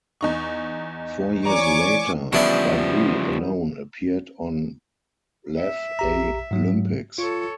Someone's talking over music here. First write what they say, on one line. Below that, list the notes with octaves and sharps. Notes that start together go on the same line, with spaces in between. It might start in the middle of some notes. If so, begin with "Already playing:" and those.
Four years later, Babu alone appeared on Laff-A-Lympics.
E2 D#4 C#6
E3 C#5 D5 G#5 A#5 C#6 D6
C#3 E3 F3 G3 B3 D4 E4 D5
E5
A#1 G4 A#5
G#2 F#3
F4 A4 C#5